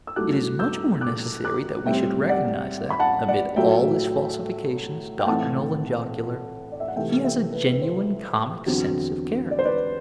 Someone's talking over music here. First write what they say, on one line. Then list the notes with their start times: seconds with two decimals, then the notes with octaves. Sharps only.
It is much more necessary that we should recognize that, amid all his falsifications, doctrinal and jocular, he has a genuine comic sense of character.
0.07 E6
0.16 G2 F#3 A3 E4 D6 F#6
0.59 E6 G6
1.01 D6 F#6
1.44 D6 F#6
1.86 A2 G3 C4 E5 G5
2.29 D5 F#5
2.90 B5
3.00 F#5 A5
3.28 D5 F#5
3.56 A2 F#3 A3 E5 G5
5.19 G5
5.26 A2 E3 A3 C4 E4 F#5 A5
6.72 D5
6.80 E5
6.88 F#5
6.96 C3 E3 A3 E4 E5 G5
7.24 E5 G5
7.53 B4
7.73 B4
7.82 C5
8.66 E2 D3 F#3 C4
9.51 D5
9.59 C5
9.65 B4 D5